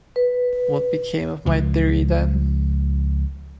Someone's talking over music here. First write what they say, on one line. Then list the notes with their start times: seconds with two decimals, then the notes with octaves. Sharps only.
What became of my theory then?
0.16 B4
1.46 C#2 F3